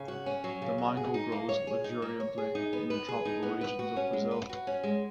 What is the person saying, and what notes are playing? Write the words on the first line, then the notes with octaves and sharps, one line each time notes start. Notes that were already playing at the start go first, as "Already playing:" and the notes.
The mango grows luxuriantly in the tropical regions of Brazil.
Already playing: C#3
F#4
C#4
F#3
C#3
F#4
G#4
D#4
A#3
C#5
G#4
D#4
A#3
C#5
G#4
D#4
B3
B4
G#4
D#4
B3
B4
F#4
C#4
G#3
B4
F#4
C#4
G#3